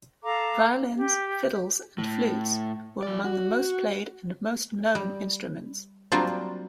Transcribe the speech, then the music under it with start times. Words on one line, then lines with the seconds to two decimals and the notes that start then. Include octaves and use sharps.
Violins, fiddles, and flutes were among the most played and most known instruments.
0.23 A4 F5 A#5 D6
0.96 G4
1.98 A2
3.03 F3 D5
3.25 F#4
4.95 G3
6.12 F#3 G3 A#3 C4 D4 F4